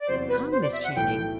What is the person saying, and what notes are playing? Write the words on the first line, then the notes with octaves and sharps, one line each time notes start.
"Come, Miss Channing."
D5
E2 C3 F#3 C5
B4
C5
D5
E5
F#5
B1 A2 E3 G5